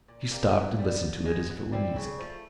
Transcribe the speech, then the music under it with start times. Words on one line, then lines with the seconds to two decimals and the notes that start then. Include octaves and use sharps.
She stopped, and listened to it as if it were music.
0.08 A#2
0.31 G3 A#3
0.55 E3
0.78 G3 B3
1.02 F3
1.25 G#3 B3
1.50 E3
1.72 G3 C4 E4
1.96 C#3
2.19 F3 A3